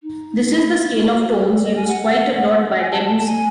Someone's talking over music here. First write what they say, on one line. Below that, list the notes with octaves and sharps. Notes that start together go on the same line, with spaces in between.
This is the scale of tones used quite a lot by Debussy.
D#4
D#4
E4
F#4
G#4
A4
D#5
G#5
F#5
F#5
G#5
A5
A5
A5
G#5